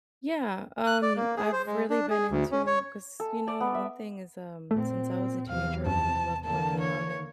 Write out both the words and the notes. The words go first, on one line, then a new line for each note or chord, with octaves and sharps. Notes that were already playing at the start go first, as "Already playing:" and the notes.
Yeah, um, I've really been into 'cause, you know, one thing is, um, since I was a teenager, I've always loved working out and
F#6
D5
A#3
G#4
C5
G#3
D4
G#4
D2
C#4
C#5
A4
D5
B3
E5
A#2 A3 C4
E2 C3 F5
F#2 F#3 A5
D3 E3 A#3 A5
C#5